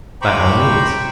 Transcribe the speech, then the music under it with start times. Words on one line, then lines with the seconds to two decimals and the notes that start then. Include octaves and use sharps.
By all means.
0.22 C5 G5 A#5 B5 C#6 D6